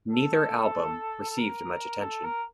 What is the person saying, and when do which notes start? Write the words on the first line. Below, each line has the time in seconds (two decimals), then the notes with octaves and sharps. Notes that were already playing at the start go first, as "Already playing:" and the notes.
Neither album received much attention.
0.11 A4
1.30 A4
1.39 A#4
2.03 A4
2.25 A#4